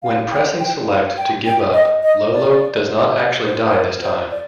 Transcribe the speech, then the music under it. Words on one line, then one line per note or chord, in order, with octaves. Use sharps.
When pressing select to give up, Lolo does not actually die this time.
F5
G5
G5
F5
G5
G5
D#5
D#5
D5
C5
C5
A#4
C5
D5